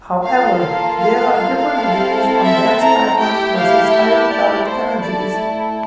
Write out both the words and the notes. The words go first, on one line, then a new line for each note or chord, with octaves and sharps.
However, there are different views on dense patterns versus higher pellet energies.
A#3 F4 A4 F5
F5
F5
F5
C4 E4 A4
E5
A#5
A3 E4 G4 G5
F5
E5
D5
A3 E4 A4 C5
D5